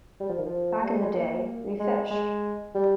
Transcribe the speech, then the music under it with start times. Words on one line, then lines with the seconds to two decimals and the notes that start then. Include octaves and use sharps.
Back in the day, we fished.
0.20 G3
0.29 F3
0.38 D#3
0.46 F3
0.83 G3
1.00 G#3
1.16 A#3
1.79 G#3
2.11 G#3
2.75 G3